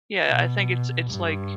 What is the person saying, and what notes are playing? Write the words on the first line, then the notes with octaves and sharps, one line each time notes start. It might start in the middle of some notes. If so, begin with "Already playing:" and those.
Yeah, I think it's it's like,
B2
G2